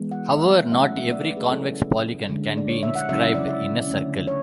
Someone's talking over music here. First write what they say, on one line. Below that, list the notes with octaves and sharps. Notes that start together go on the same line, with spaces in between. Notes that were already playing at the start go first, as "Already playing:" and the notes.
However, not every convex polygon can be inscribed in a circle.
Already playing: E3 G#3 B3
F#5
E5
F#3 A3 C#4 E4 E5
F#5
E5
D5
B4
G#4
C#3 F#3 C#4 E4 A4
D3 G#3 D4
D5
C#5
E5
F#5
C#3 F#3 C#4 E4 E5
E5
D5
E5
D3 A3 C#4
C#5